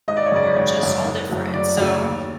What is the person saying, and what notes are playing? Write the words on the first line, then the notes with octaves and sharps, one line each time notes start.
we're just all different, so
G#1 D#5
D5
C#5
F#2 C#3 D5
G#1 C#5
F#2 C#3
F#1
F#2 C#3 F#3 A3
F#1 D5
F#2 C#3 F#3 A3
D#2